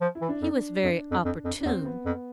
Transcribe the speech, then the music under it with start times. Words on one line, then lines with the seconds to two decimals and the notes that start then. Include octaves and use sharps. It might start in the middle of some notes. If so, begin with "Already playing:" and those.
He was very opportune.
0.01 F3
0.15 E4
0.21 E3
0.29 D4
0.42 F2
0.83 F2 D4
1.11 F2
1.25 F2
1.45 F2
1.61 D4
1.65 E2 C4
1.81 C4
1.85 B3
2.06 F2